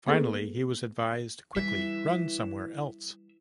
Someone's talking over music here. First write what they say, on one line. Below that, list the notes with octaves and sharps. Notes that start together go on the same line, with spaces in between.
Finally, he was advised Quickly, run somewhere else.
A#3 B3 G#4 A4 B4
E3 G3 E5